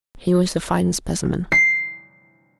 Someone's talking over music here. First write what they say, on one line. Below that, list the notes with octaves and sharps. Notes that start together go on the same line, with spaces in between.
He was a fine specimen.
C7